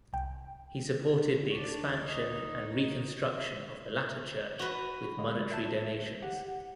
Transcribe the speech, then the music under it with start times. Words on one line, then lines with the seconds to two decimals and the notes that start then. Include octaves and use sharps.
He supported the expansion and reconstruction of the latter church with monetary donations.
0.13 C2 G5
1.52 D2 D4 D5 C#6
2.01 D#4 D#5
4.59 F#4 B4
5.18 D3 F3 G#3
5.52 E5 A5 E7
6.22 G4 F#5